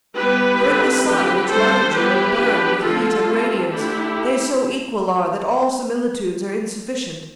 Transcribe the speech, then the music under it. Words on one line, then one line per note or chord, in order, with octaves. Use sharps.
For in the Sun, which lighted you and burned With heat and radiance, they so equal are, That all similitudes are insufficient.
G3 B3 E4 G4 B4
D3 G3 C4 E4
D3 F3 C4 G4 B4
G3 D4 A4 C5
G3 B3 E4 G4 B4
F3 B3 D4
D3 F3 A3 F4 A4
G3 C4 E4
D3 A3 D4 E4 G4